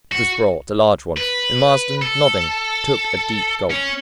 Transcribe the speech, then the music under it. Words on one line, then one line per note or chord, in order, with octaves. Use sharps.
It was brought, a large one; and Marsden, nodding, took a deep gulp.
F#4
B4
A4
C#4